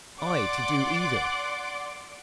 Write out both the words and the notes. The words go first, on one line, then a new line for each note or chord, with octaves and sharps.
I, to do evil!
D5 F#5 C6 D6